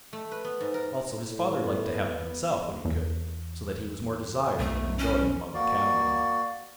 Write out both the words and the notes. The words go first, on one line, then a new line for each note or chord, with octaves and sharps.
Also his father liked to have him himself when he could; so that he was more desired than enjoyed among the cabmen.
A3
B4
B3
G#2
A#4
A2
B3
E2
B1 A3
C#4
A#3 F#4 D5